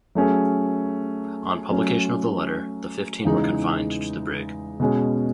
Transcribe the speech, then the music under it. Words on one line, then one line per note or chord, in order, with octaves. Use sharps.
On publication of the letter, the fifteen were confined to the brig.
F#3 A3 C#4 G#4
F#3 A3 C#4
E2 C#3 G#3 D#4
B2 G#3 C#4